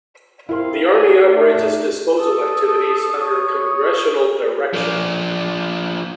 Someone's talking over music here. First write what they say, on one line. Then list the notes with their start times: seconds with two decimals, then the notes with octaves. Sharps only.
The Army operates its disposal activities under congressional direction.
0.49 C3 E4 A#4 F5 C6
0.91 F#4 G#5
1.23 A3 D4
1.59 D#4
2.18 A4 D#6
3.21 C#5
4.73 F3 D4